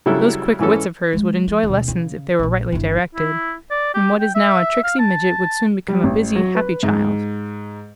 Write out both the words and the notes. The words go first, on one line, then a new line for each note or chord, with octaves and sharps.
Those quick wits of hers would enjoy lessons if they were rightly directed, and what is now a tricksy midget would soon become a busy, happy child.
C#3 F#3 G3 E4 A4
G#2 E3 C#4 A4
C#3 G#3
F3
D2 B2
C#3
A#1 A#2
G1 E4
E4
D5
G4
G5
E5
F5
A5
G3
A1
F#3
B4
G#2